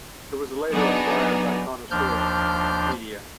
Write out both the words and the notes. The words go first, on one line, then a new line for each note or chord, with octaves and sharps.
It was later acquired by Connoisseur Media.
F#3 B3 D4 D#4 G#4
D#2 F3 D4 F6 G6